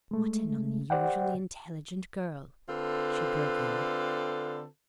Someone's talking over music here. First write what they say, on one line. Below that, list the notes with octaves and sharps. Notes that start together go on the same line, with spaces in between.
'What an unusually intelligent girl!' she broke in.
G#3 A3
G4 C5 D5 F#5 G5
D3 C4 F4 A4 B4